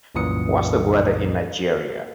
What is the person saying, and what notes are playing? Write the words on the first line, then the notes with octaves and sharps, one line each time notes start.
What's the weather in Nigeria?
C2 F#2 A#2 E3 D#6 C#7